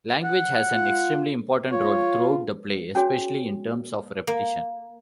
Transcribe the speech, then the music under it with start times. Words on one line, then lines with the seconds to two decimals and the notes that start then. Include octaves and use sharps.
Language has an extremely important role throughout the play, especially in terms of repetition.
0.24 F#5
0.72 F4
1.72 F4 C#5
2.95 C#4 D4 F#4 G#4 C#5
4.27 A#3